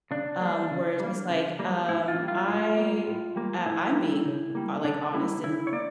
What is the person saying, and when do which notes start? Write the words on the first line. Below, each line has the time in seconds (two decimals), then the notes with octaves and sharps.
Um, where it's just like, um I, uh, I'm being, uh, like honest and
0.11 C#3 D4
0.40 G3 A#3
0.71 C#3
1.00 G3 A#3
1.29 C#3
1.59 G3 A#3
1.88 A2 E4
2.00 E4
2.08 F4
2.18 G3 A#3
2.28 F4
2.48 A2 F4
2.77 G3 A#3
3.07 A2
3.36 G3 A#3
3.66 A2 E4
3.95 G3 A#3
4.25 C#3
4.55 G3 A#3
4.84 C#3 D4
5.14 G3 A#3 E4
5.43 C#3 E4
5.67 C#5
5.72 A#3 D5